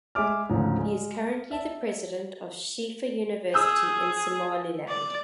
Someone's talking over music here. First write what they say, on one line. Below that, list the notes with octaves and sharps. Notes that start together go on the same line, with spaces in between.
He is currently the president of Shifa University in Somaliland.
G#3 G#4 E5 D6 F6
D2 G#2 C#3 F3 A3 D4
G#3
E5 A5
G#4 D#6 E6 G6
D5